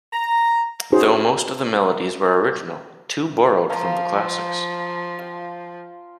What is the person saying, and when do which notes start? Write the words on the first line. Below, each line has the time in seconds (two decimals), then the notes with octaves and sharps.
Though most of the melodies were original, two borrowed from the classics.
0.13 A#5
0.92 C#4 D#4 F#4 G#4 C5
3.69 F3 F5 A5 A#5
5.19 F4 G5